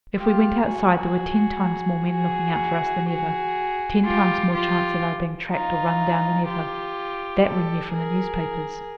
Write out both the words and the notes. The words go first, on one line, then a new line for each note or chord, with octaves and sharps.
If we went outside there were ten times more men looking out for us than ever, ten times more chance of our being tracked or run down than ever. That we knew from the newspapers.
F4 G4
F#4 G#4
F#4 G#4
F#4 G#4
F4 G4
F4 G4
D#4 F4
F4 G4
G4 A4
G#4 A#4